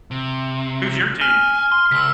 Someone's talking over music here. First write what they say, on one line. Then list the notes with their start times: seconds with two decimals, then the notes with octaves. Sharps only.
Who's your team?
0.11 C3
1.21 G#5 F6
1.72 C6
1.91 C#2 E6 B6